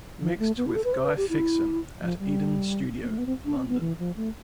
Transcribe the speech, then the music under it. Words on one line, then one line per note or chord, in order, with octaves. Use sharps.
Mixed with Guy Fixsen at Eden Studio, London.
F3
A3
B3
E4
A4
B4
C5
B4
G4
E4
F3
G3
B3
A3
B3
C4
D4
C4
B3
E3
F3
A3